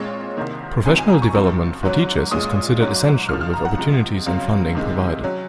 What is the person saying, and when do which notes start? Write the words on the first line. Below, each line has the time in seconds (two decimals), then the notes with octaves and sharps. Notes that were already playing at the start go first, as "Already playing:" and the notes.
Professional development for teachers is considered essential with opportunities and funding provided.
Already playing: A#2 G#3 C4 C#5
0.37 C2 C3 D#3 A#3
0.86 C2 C3 D#3 F#3 C4 G#5
0.98 G#5
1.10 A#5
1.22 C#6
1.34 F#2 F3 C4
1.83 G#2 F#3 C#4
2.31 A#2 G#3 C#4 D#6
2.80 G#2 F#3 C#4
3.29 C#2 C#3 F3 F6
3.41 F6
3.54 A#5
3.65 F#5
3.78 C3 F3 G#3
4.26 C#2 C#3 F#3 C4
4.75 C3 D#3 G#3
5.24 F#3 C#4